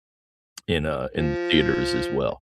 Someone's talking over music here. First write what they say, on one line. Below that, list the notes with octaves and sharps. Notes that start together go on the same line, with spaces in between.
in uh, in the theaters as well.
F3